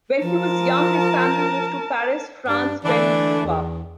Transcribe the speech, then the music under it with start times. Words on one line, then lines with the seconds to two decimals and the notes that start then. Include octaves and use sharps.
When he was young, his family moved to Paris, France, where he grew up.
0.21 F3 A#4 A5
2.48 G2 D4
2.84 D3 E3 A3 D4
3.46 E2